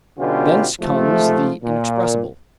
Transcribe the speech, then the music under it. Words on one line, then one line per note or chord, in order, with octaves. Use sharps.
Thence comes the inexpressible.
B1 B2 D3 C#4 F4 G4
G#2 C3 F3 A3
A#2